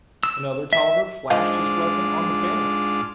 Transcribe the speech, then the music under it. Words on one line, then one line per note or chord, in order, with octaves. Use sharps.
Another Tolliver flashed his weapon on the Falin.
E6
E5
G#2 F3 D4 F4 D#5 F5